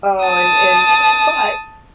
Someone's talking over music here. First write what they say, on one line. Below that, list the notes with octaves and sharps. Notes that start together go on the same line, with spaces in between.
Oh, and and but
A5 D#6